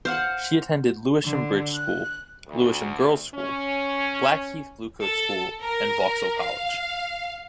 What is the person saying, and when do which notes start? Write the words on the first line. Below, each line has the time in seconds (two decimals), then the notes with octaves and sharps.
She attended Lewisham Bridge School, Lewisham Girls School, Blackheath Bluecoat School and Vauxhall College.
0.05 C5 F5 F#5
1.23 D3
1.76 F#6
2.46 D2
3.35 C#4
5.02 A4
5.63 A#4
6.40 F5